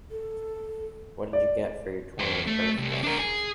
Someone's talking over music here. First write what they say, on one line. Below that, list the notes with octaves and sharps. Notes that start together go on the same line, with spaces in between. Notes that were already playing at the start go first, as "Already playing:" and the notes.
What did you get for your twentieth birthday?
A4
D5
E2 C5
A3
C2
D4 A#4
G#4